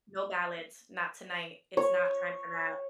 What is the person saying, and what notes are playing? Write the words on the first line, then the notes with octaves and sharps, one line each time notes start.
No ballads, not tonight. It's not time for that.
C#5